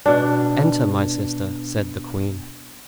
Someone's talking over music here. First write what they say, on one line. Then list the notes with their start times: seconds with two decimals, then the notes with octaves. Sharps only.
"Enter, my sister," said the queen.
0.06 B2 D4